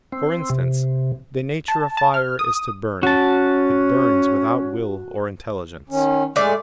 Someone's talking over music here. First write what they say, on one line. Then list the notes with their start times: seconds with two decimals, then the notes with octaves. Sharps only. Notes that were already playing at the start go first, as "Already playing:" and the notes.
For instance, the nature of fire is to burn; it burns without will or intelligence.
0.12 C4
0.50 C3
1.68 A5
1.97 A5
2.14 F6
2.39 D#6
3.03 C#4 F#4 A5
5.89 D#3 C#4
6.36 A2 G#3 D5